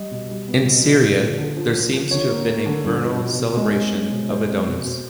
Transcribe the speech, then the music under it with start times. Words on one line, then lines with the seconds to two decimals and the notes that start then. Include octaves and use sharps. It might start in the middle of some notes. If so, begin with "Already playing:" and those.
In Syria, there seems to have been a vernal celebration of Adonis.
Already playing: G3 D#5
0.11 B2
0.29 G3
0.48 B3
0.65 B2
0.84 B2
1.02 D3
1.20 F3
1.38 D3
1.57 F3
1.75 F3
1.93 F3
2.11 D3 C#5
2.30 A#3
2.48 A#3
2.66 D3
2.84 G2
3.03 F3
3.21 B2
3.39 B2
3.57 G#3
3.75 C4
3.93 G#3
4.11 B2
4.30 G#3 C5
4.48 C4
4.67 B2
4.85 B2